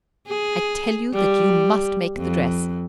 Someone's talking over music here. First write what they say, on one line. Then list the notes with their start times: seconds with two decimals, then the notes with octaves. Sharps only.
I tell you that you must make the dress.
0.28 G#4
1.14 G3
2.17 F2